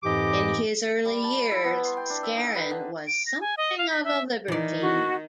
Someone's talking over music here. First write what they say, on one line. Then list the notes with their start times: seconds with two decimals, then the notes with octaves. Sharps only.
In his early years, Scarron was something of a libertine.
0.03 F2 G#2 E3 G4 D#5 D6
1.05 G3
1.24 A5
1.51 E4
1.64 B3
1.85 C6
1.97 G5
2.10 D4
2.23 E5
2.37 D#4
2.55 B4
2.71 D3
3.07 D7
3.27 A#6
3.41 G#5
3.57 D#5
3.78 F5
3.90 B6
4.04 E5
4.48 D#3 E3 D#4 D5
4.81 F#4